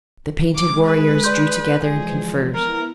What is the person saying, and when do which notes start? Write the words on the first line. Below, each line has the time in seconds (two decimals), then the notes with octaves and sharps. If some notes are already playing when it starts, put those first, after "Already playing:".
The painted warriors drew together and conferred.
0.56 G#3 G#4 D6
0.85 B4
1.24 D5 C6 G6
1.83 E3 F3 G#3 G#4
2.55 B3 E4 A#4